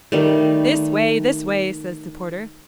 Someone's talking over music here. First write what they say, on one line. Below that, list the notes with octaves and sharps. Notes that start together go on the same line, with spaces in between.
'This way, this way,' says the porter.
D#3 G3 A3